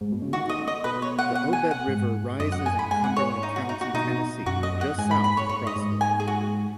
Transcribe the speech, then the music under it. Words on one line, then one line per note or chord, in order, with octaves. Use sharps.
The Obed River rises in Cumberland County, Tennessee, just south of Crossville.
G#2
B2
C#3
D#3 F#4
D#5
D#5
B2 B4
C#5
F#5
F#5
G#5
F#5
G#2
F#2 D#5
F#5
G#5
B5
G#2 G#5
F#5
C#5
D#4
F#4
D#4
F#4
B2 D#4
F#2 F#4
D#5
F#5
G#2 G#5
B5
B5
C#5
G#2 C#5
D#5
G#2
G#5
G#4
F#4